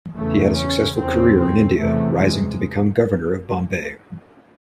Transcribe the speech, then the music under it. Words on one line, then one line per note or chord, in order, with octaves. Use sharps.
He had a successful career in India rising to become Governor of Bombay.
E2 C#3 A3
C#4
E2 C#3 C4
C4
E2 C3 A3
G#3